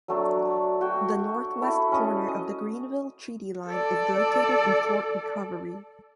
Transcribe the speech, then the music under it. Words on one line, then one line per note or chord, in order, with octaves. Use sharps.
The northwest corner of the Greenville Treaty Line is located in Fort Recovery.
F#3 A3 D4
F#4 G5
E4 A4
C#4 D#5
D#5
A4 D5